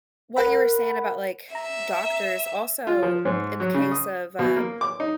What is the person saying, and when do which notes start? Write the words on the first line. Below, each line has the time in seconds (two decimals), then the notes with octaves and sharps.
what you were saying about, like, doctors, also, in the case of, um,
0.36 A#4 F#5 B5
1.55 E5 A#5
2.87 F4
3.03 F3
3.25 G#2
3.60 F#3
3.74 C#3
3.91 D#6
4.39 B2
4.56 A#3
4.81 D6
5.00 D#4